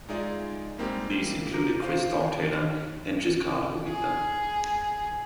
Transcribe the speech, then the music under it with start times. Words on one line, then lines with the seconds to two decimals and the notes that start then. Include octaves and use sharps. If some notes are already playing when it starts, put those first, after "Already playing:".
These included Chris Dogtailer and Giscard O'Hitler.
0.08 G#3 D#4 F4 G#4 D5 E5
0.78 G3 G#3 A#3 C4 D#4 G4
1.53 A#5 D6 G6 A#6
1.82 C5 F5
3.87 G#4